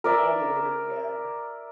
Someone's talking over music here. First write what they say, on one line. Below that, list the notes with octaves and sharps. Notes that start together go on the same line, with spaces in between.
all the way to the end,
A#4 D5 E5